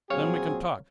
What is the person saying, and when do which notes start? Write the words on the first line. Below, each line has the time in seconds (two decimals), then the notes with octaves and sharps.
Then we can talk.
0.10 A#2 F#3 C4 G#4 C#5 F5